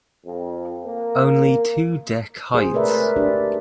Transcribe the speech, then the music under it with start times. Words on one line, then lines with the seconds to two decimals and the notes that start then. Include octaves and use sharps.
Only two deck heights.
0.25 F2
0.84 A#3
2.54 G#4 C5
2.73 A3 A#4 B4 D5 E5
3.16 D4 G4 D5